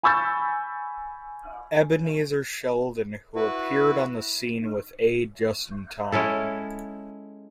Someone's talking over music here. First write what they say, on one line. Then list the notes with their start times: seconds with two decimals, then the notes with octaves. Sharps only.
Ebenezer Sheldon, who appeared on the scene with aid just in time.
0.03 G#5 B5 C#6 E6 G6 A6
3.36 E4 F#4 B4
6.12 G#3 C#4 E4 A4